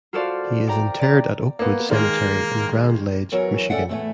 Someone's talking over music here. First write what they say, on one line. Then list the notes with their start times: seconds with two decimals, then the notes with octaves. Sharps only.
He is interred at Oakwood Cemetery in Grand Ledge, Michigan.
0.13 F4 F#4 A4 C5 D5 F5
0.67 D5 G5 A#5
0.99 D5 A#5
1.59 A#3 B3
1.90 D#3 G#3 A#3 A#4
3.32 E2 E3 F#3 F#4 A#4 C#5
3.69 C#4 A4 D5 E5 F#5 G5
3.89 E2 A2 A3 D#5 E5 G#5